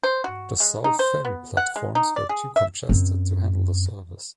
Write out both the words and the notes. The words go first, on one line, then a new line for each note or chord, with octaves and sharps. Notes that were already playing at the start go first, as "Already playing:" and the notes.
The South Ferry platforms were too congested to handle the service.
C5
F#4
G#3
D#4
C5
B3
F#5
G#3
D#4
D5
G#4
E5
F#2 C4